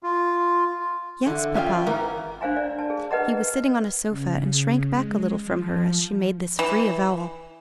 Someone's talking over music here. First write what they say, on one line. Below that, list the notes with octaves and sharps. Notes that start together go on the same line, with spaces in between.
"Yes, papa." He was sitting on a sofa and shrank back a little from her as she made this free avowal.
F4
D3 E3
C#4 F4 E5 F5 G5
G#2 E3 A#4
D4 C5 F5 G#5 A#5
D5
A5
G#4
B4 D#5 F#5 A#5
C#3
G#3
F3
E3